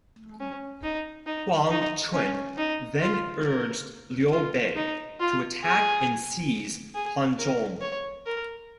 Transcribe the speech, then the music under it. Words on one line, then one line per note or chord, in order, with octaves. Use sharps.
Huang Quan then urged Liu Bei to attack and seize Hanzhong.
C#4
D#4
D#4
D#4
C#4
D#4
F4
A#4
F4
D#4
F4
G#4
G#4
A#4
C#5
A#4